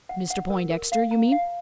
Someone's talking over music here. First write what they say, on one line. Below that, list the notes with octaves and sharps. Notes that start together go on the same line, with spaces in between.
"Mr Poindexter, you mean?"
F#5
F#5
A#4
A#4
F5
A#5
F5